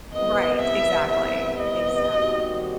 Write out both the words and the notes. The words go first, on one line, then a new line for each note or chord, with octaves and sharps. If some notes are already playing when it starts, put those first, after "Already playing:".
Right. Exactly. Exactly.
C2 C3 E3 B3 D#5
E5
E5
D#5
D#2 D#3 G3 C4 F#4